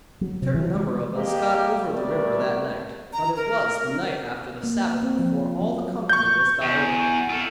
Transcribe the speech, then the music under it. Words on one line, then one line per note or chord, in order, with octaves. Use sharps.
A certain number of us got over the river that night, but it was the night after the Sabbath before all the company was got over.
F#3
C3
E3
G#3
G#3 A#3 G4
G3 A3 A4 A#4 D5
A#5
A#4
A#3
C4
F3
F#3
C#6 G6
E2
F4 A4